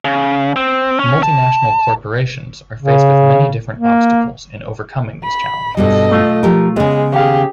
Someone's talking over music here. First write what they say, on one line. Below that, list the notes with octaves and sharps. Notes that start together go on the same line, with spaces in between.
Multinational Corporations are faced with many different obstacles in overcoming these challenges.
C#3
C4
C#4
A5
C#3
A#3
B5
G2 B2 G3 A4 D#5
B1 A3 F4
F3 G4 A#4
C#3 G#3 B3
D#2 G4 G#4 F5